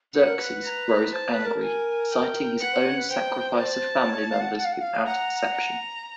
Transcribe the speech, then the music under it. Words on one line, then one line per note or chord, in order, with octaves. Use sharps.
Xerxes grows angry, citing his own sacrifice of family members without exception.
B4 F#5
A#4
B4
A#5
C5 A5
B4
A#4
G#5
G5
B4 F#5
C5
C#5
B4
C5 G5
A5
C#5
F5
F#5
F#5
F5
F#5
F5
F#5 A#5
A#5